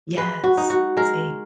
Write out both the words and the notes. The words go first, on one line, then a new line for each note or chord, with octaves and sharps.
Yes. Same.
G#3 B4
F#4
D#4
F#4
G#3 A#4